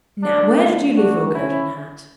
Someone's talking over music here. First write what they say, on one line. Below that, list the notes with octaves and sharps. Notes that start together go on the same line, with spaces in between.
Now where did you leave your coat and hat?
D3 F#3 A3 D4
D4 F#4
C#4 E4